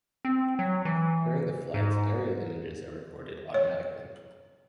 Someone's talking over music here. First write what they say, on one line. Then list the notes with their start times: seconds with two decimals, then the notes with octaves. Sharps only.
During the flight aerial images are recorded automatically.
0.25 C4
0.59 F#3
0.85 E3
1.74 G#2
3.54 C#5